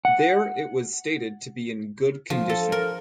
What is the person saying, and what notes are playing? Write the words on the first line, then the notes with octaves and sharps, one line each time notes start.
There it was stated to be "in good condition".
F#5
F3
A4
A#4